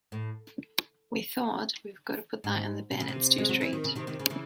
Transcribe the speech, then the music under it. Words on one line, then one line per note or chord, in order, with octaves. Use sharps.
We thought, 'We've gotta put that in the bin, it's too straight.
A2
G#2
C3
C#3
C3
G#3
F#3
E3
D#3
C#3
C3 D#3
C3 D#3
C#3
C#3 E3